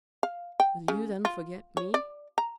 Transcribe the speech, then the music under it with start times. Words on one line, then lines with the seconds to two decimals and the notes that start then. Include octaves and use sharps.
"Will you then forget me?"
0.23 F5
0.60 G5
0.88 C#3
1.25 F4
1.77 C#5
1.94 D5
2.38 A#5